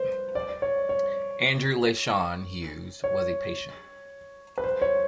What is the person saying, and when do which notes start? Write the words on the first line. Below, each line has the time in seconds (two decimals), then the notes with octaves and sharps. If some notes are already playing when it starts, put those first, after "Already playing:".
Andrew Leyshon-Hughes was a patient.
Already playing: B4 C5
0.35 D5
0.62 C#5
0.89 C#5
3.04 C#5
4.58 B4
4.64 C5
4.82 C#5